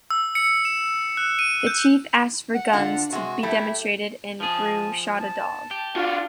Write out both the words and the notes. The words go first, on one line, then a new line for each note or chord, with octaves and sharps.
The chief asked for the guns to be demonstrated and Roux shot a dog.
E6
C#7
E7
F#6
D#7
G6
F#5
D3 D4 F4
C3 G#3 F#4
G3 A3 E4
F3 G#4 A5
A5
G4
D4 F4 F#4